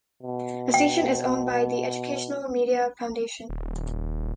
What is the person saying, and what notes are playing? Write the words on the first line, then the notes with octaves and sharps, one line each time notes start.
The station is owned by the Educational Media Foundation.
B2
G5
D#1